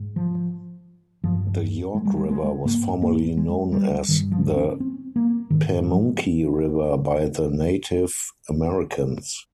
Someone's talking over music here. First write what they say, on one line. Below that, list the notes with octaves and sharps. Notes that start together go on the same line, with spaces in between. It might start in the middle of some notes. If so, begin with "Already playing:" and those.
The York River was formerly known as the Pamunkey River by the Native Americans.
Already playing: G#2
F3
G2 F3
G#3
G3
G#3
G#3
G#2 A#3
A#3
G#3
G3
G2 D#3
F3
C#4
C4
A#3
G#2 D#3
F3